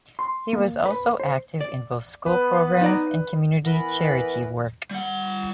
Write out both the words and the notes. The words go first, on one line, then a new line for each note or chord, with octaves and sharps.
He was also active in both school programs and community charity work.
C6
A#3
B4
C5
D5
B3 B4
D#4 D5 A#5
E3 B3 A#4 B4
G3 F#5